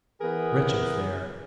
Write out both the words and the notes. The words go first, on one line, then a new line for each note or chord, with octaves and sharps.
Wretched fare!
E3 B3 G#4 A#4